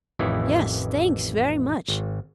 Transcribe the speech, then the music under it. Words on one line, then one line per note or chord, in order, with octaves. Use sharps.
'Yes, thanks, very much.
A1 F2 D#3 E3 E4
G#1